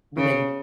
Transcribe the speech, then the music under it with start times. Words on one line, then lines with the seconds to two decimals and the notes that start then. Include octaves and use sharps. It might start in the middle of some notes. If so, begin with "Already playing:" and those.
when they
0.17 C#3